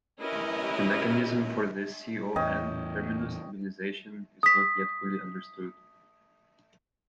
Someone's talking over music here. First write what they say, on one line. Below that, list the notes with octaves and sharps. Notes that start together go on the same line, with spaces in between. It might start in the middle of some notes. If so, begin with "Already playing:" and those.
The mechanism for this Co N terminus stabilization is not yet fully understood.
C#4 E4 G4 A#4 B4 D#5
E2 A2 C#4 D#5 G5
D#6 B6